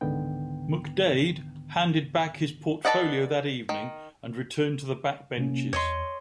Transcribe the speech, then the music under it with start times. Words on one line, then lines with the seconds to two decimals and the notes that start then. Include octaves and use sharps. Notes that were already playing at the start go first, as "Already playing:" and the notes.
McDaid handed back his portfolio that evening and returned to the backbenches.
0.01 C#2 G#2 D3 D#3 B3 G5
2.85 A4 B4 D5 D#5 F#5
3.69 D#3
5.37 C3 A#3 C#4
5.73 E2 C#5 D#5 C6